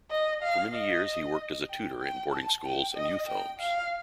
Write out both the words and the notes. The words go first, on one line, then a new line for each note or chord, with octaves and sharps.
For many years he worked as a tutor in boarding schools and youth homes.
D#5
F5
D#5
G5
G5
A5
G5
D#5
G5
F5